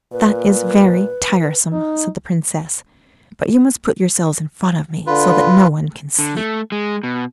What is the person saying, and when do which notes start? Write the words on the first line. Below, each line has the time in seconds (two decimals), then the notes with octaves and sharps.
'That is very tiresome!' said the Princess. 'But you must put yourselves in front of me, so that no one can see.'
0.12 A#2 B4
1.72 D#4
5.07 D3 F4 B4
6.19 D3
6.37 A3
6.72 G#3
7.03 B2